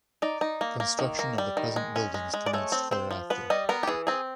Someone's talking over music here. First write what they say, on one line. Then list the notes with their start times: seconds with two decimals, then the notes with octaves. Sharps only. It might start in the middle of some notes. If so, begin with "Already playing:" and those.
Construction of the present buildings commenced thereafter.
0.22 D#4 D5
0.41 D#4
0.61 A#3
0.80 A#3
0.99 D#3
1.19 A#3
1.38 G3
1.57 D#3
1.76 G#3
1.96 C#4
2.14 G#3
2.34 G#3
2.46 D5
2.53 A3 C#5
2.72 C4
2.91 C4 C5
3.11 F3
3.30 B3 B4
3.50 G3 D#5
3.69 B3 A#4
3.83 G4
3.88 E3 G#4
4.07 C4 G#4